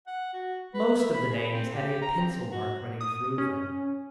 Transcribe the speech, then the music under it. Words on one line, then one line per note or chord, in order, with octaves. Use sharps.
Most of the names had a pencil mark running through them.
F#5
F#4
B4
E5
B5
G#4
C4
G4
A#5
C4
F#4
D#6
C#4